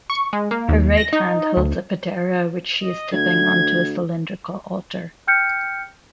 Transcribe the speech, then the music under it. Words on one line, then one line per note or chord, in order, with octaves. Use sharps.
Her right hand holds a patera which she is tipping onto a cylindrical altar.
C#6
G#3
A#3
D#2
A#6
D#4
D2
D#5
D2 G#6
G5 F6 G6 C#7